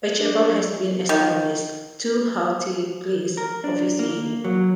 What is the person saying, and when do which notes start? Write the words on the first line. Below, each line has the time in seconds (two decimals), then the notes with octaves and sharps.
A chapel has been established, two haughty priests officiating.
0.20 D4
1.09 D#3
3.37 A#4
3.64 D4
3.99 A#3
4.44 F#3